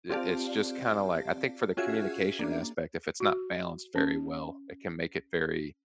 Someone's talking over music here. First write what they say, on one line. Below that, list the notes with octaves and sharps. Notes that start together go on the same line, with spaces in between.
i it's just kinda like, I think for the communication aspect, if it's not balanced very well, it can make it very,
C4 F4 G4 D5 F5 A5
C#4 F4 F#4 G#4 E5 G#6
A#3 D4
F#4
C#4